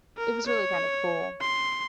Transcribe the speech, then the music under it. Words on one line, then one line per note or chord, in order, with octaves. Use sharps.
it was really kind of cool.
A#4
C#5
C6